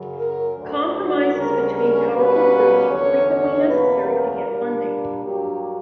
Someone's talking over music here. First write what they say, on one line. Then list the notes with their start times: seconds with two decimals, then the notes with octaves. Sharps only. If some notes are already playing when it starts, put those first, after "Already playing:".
Compromises between powerful groups were frequently necessary to get funding.
Already playing: F#2 C#3 F#3
0.17 A#4
0.56 D2 D3 F#3
0.94 F#4
1.33 D2 C#3 G3 C#4 A#4
1.72 A#4
2.11 B2 G3 A#3 C#4 B4
2.89 E2 D3 F#3 C#4 C#5
3.29 C#5
3.67 E2 B2 A#3 C#4 B4
4.06 A#4
4.46 A#2 G3 A#3 D4
5.23 G2 F#3 A#3 D4 G4